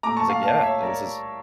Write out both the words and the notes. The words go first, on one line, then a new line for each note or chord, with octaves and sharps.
was like, "Yeah, like, this is"
A#2 A3 A#5 D6
A5 C#6
F5 A5
F5 A5
F5 A5
C#5 E5
A#4 D5